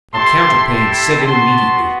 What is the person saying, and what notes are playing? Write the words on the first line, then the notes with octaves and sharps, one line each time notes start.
A counter-pain set in immediately.
A3 E4 G4 A5 C6
A5 C6
B3 F#4 A5 C6